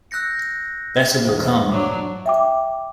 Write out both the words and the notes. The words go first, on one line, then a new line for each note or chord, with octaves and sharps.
Better will come.
E6 F#6 G6 A#6 C#7
E2 C5 D#6
F#3 D4 D6
E5 G5 D6